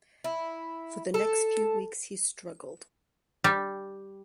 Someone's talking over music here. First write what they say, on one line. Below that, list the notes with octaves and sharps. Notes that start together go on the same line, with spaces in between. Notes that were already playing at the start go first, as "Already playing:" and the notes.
For the next few weeks he struggled.
E4
A4
G3